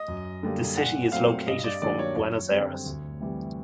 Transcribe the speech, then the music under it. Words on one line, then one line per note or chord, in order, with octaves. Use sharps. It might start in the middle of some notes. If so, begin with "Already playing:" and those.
The city is located from Buenos Aires.
Already playing: D#5
F#2
D3 G3 A#3
A#2 F#5
F#3 A3 C4 F5
G2 D#5
D5
D#3 F#3 A#3 D4 D5
C#5
F#2 C#5
D3 G3 C4
D2
C3 E3 G3